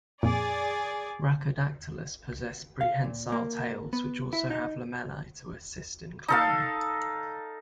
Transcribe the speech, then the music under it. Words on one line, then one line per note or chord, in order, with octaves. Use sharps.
"Rhacodactylus" possess prehensile tails which also have lamellae to assist in climbing.
F2 A#2 G#4 D5
F5
A#2
A#3
B3
E4
D#4
D#4 A4 F5